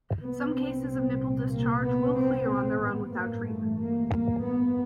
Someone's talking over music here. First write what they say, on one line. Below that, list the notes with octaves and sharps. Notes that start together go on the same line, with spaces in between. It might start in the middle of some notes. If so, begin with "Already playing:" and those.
Some cases of nipple discharge will clear on their own without treatment.
C2 A#2 B3
C4
A#3
B3
C4
C4
A1 G2 B3
A#3
A3
A#3
A#3
B3